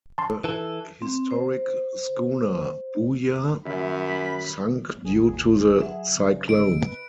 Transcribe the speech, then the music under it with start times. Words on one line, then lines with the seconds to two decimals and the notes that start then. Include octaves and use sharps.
The historic schooner Booya sunk due to the cyclone.
0.18 A5 C6
0.44 E3 A4
1.02 C4
1.31 C5
3.66 D#1 F#2 E5 B5
5.04 A1 E2 G#4
5.81 F#3 E5 F#5
6.31 C#3
6.49 D#5 E6 D7
6.87 B4